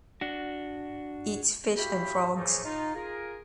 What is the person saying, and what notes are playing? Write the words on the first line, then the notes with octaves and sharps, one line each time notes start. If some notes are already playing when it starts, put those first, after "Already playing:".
Eats fish and frogs.
D4 F#4
E4 F#4 G4 F5 G5 B5
C#3 E3 F3 A3 A#3 D#4
D#4 F4
F4 G#4 A#4